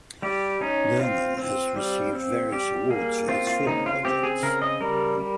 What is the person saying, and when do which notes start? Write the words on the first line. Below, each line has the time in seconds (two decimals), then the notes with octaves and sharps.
Luhrmann has received various awards for his film projects.
0.22 G3 G4
0.61 C#4 D#4
0.99 C4 F4
1.37 C4
1.76 G3
2.13 C4
2.52 G3 G4
2.90 A#3 G#4
3.28 C4 F4
3.47 F4
3.67 C#3 D#4
3.86 F4
4.05 C4 G4
4.23 G#4
4.43 C#3 A#4
4.62 D#5
4.81 G3 A#4
5.19 G3